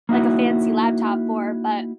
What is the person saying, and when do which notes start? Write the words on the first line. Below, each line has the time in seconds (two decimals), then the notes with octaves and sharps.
like, a fancy laptop for, but.
0.09 A#3 D#4 E4 F#4